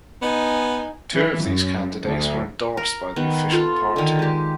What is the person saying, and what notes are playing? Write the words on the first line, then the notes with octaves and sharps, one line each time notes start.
Two of these candidates were endorsed by the official party.
B3 D#4 G#5
E3
F#2
D2
A#4
D#3 B3
F4 A4
D3 D#3
G#3 G4